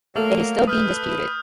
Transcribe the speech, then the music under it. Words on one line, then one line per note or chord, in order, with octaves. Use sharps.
It is still being disputed.
F#3 A3 A#3
B4 D#6 F6 G6